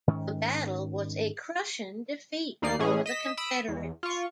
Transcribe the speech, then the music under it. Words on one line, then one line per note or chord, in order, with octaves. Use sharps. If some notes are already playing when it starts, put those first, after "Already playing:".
The battle was a crushing defeat for the Confederates.
G#2 D#3 C#4
D#2 A#3 D#4 D5 C7
A2 E3 C#4 G#4
D#5 B6 E7
B5 D#6 E6 D7
E2
F4 C#6